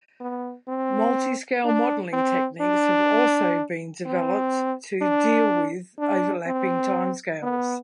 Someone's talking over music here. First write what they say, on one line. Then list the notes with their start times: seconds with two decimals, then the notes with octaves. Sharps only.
Multiscale modeling techniques have also been developed to deal with overlapping time scales.
0.20 B3
0.68 C4
1.65 D4
2.13 C4
2.61 D4
4.06 C4
5.02 D4
5.99 D4
6.46 C4
7.43 B3